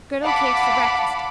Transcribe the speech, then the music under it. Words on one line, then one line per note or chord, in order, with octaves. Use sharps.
Gridel cakes for brekfast.
F5 F#5 A5 B5 D6